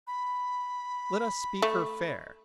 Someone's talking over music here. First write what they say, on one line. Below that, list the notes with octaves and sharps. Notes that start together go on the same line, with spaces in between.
Let us speak her fair.
B5
A3